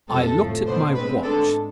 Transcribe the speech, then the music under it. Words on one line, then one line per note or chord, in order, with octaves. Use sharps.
I looked at my watch.
F2 C3 F3 G#3 A4
A2 F3 A3
B2 B3 D4 C5
A2 G#3 C4 B4
G#2 G#3 D4 A4